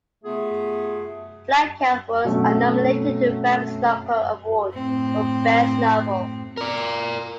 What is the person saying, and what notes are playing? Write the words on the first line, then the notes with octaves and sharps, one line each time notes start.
"Black House" was nominated to the Bram Stoker Award for Best Novel.
C3 A3 B3 F4 G#4
B2 F#3 A3 C4 C#4
A2 C4
A#4 D5